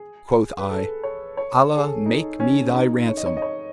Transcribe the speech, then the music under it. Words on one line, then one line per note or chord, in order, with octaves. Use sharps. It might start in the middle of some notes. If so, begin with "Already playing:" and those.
Quoth I, 'Allah make me thy ransom!
Already playing: G#4
B4
A4
C#5
C#5
G#4
A4
D#4
C#4
D#4
C#5
D#5
C#5
D#5
C#5